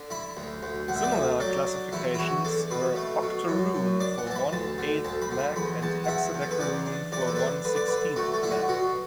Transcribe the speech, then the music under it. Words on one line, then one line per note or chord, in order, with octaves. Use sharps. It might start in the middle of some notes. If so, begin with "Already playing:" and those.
Similar classifications were octoroon for one eighth black and hexadecaroon for one sixteenth black.
Already playing: D3
E4 B5
D2
D2
D2 F#5
E5
D5
D2 E5
F#3 D5
D4
E2 E4
E4
E2 F#4
D4 A4
B2 B4
A3
B2
F#2
F#2
D4 D5
F#5
E3 A5
B5
D2 A5
D3
D2 A5
B5
D3
B5
E2 B5
E2 A5
F#5
E2 E5
E2
A4
B4
E2 D5
D4
E2 D5
B4
A4
D4 B4
D3 B4
D5
D3 B4
A3 F#4
A4
D3 E4
F#4
B2 F#4